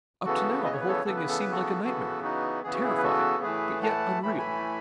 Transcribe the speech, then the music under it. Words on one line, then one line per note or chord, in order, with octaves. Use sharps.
Up to now the whole thing has seemed like a nightmare--terrifying, but yet unreal.
C#3 E3 B3 F#4 A4
D#5
C#5
B4
A4 C#5
C#3 E3 B3 A4
B4
A4
B4
F#4 A4
C#3 E3 B3 F#4 A4
D#4 F#4
C#3 E3 B3 G#4
F#4
E4 G#4
B4
F#4 A4
A2 E3 A3 G#4 B4
F#5 A5
A2 E3 A3 B5
G#5 B5